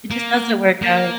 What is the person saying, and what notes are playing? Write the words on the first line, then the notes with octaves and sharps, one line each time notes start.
it just doesn't work out.
A#3
A#3